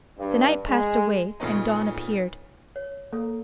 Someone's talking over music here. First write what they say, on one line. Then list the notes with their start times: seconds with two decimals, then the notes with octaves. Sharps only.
The night passed away, and dawn appeared.
0.18 G2
0.68 G#3
1.40 A#2 C#3 A3 B3 C#4 D#4
2.76 C#5
3.13 A#3 A4